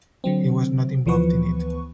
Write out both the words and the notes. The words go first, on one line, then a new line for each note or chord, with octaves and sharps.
He was not involved in it.
D3 F#3 C4
D2 E3 F3 B3 B4 C#6